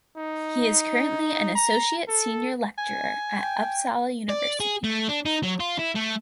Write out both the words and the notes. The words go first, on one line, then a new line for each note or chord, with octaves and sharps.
He is currently an Associate Senior Lecturer at Uppsala University.
D#4
A#5
A4
G#5
G5
D5
G#4
A3
D4
D#4
F#3
F4
E4
A3